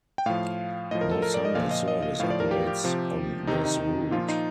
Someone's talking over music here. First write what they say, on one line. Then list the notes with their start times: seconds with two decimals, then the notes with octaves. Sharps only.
No Sunday service operates on this route.
0.18 G5
0.26 A2 F3 F5
0.91 A2 F3 D#5
1.01 A#4
1.11 A4
1.22 A#4
1.34 D5
1.45 D#5
1.55 A#2 F3 F5
1.71 D#5
1.88 D#5
2.02 D#5
2.20 A2 F3 F5
2.30 D5
2.40 A#4
2.51 G4
2.67 G4
2.84 C3 F3
3.47 C3 D#3 D#4
3.65 D#4
4.11 A#2 F3 F4
4.28 D#4